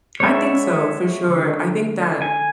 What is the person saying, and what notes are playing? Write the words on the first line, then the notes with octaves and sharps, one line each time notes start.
I think so for sure, I think that
G#3 B3 C#5 D5 E5
D3
G#5